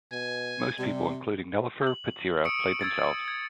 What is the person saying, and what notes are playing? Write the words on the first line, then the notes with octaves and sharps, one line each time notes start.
Most people, including Nelofer Pazira, played themselves.
B2 G#5
C3 G3
F#7
C#6 D#6 E6 C#7 D7
E6 G#6 A6
G#6